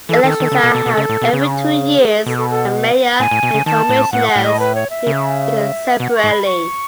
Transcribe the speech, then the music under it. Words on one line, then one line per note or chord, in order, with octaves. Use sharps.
Elections are held every two years with the Mayor and Commissioners being elected separately.
E3 A4
D#3 A4
D#3
C#3
B2
B2
B2
C#3
A2
B2
C#3 G#4
B2 A4
A4
A4
A2 G#5
A2
B2
C#3
D#3 A5
A2
A2 F#5
F#5
A2
D#5
B4
C#5
E5
C#3
B2 F#5
C#6
G#2
B5
C#6